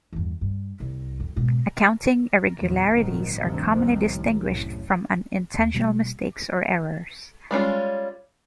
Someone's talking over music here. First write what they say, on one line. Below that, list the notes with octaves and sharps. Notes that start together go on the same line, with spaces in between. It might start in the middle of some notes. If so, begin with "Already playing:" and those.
Accounting irregularities are commonly distinguished from unintentional mistakes or errors.
E2 G2
G2
C2
F2
G#2 B2
E2 A#2
G#1 A#2 D#3 F#3
D2 G2 C3 D#3 F3
C2 F2 C3 D#3 F3 G3
D#2 A2
C2 F#2 A2
D#2
B2 G3 A#3
G3 G#3 C#4 F4